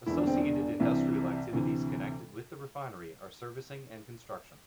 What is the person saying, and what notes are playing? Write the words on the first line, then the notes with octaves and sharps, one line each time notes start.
Associated industrial activities connected with the refinery are servicing and construction.
E1 E2 D3 E4
D4
C4
D4
C2 C3 E3
D2 C3 E3